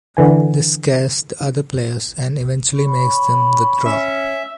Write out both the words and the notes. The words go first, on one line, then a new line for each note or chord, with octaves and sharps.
This scares the other players and eventually makes them withdraw.
D3 E3 G#5
C#5 B5
C#4 E5